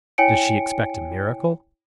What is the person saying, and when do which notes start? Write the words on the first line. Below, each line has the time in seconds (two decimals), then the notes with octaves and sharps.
Does she expect a miracle?
0.18 E4 C#5 G5 G#5 C#7 D7